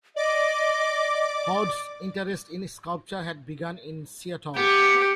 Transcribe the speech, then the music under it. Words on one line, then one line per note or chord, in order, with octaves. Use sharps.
Hord's interest in sculpture had begun in Seattle.
D5 D#5 D6
B3 G4